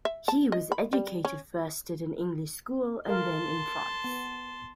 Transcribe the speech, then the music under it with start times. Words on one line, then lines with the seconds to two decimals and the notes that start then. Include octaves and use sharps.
He was educated first at an English school and then in France.
0.05 E5
0.28 A5
0.52 D#5
0.72 B5
0.93 G3
1.25 C#4
3.08 A4 A#4 F5 A5 C6
4.04 B3